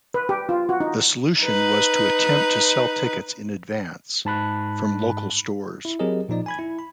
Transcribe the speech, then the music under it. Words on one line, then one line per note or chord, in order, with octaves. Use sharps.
The solution was to attempt to sell tickets in advance, from local stores.
B4
G4
F4
F#4
D#4
D#4 B4
G#2 A5 B5 F#6
E4
F#3 C4 G4 G#4 A#4 D#5
A#2 F3 D#4 D5
G#5 B5 G#6
E4
B5